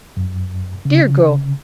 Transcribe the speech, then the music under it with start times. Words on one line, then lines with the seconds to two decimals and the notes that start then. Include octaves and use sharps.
Dear girl!
0.17 F#2
0.85 C#3